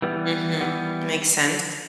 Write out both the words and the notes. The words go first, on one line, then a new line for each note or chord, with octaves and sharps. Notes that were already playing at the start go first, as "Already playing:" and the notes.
Mhm. Makes sense.
E3 G3 B3
E3 G3 B3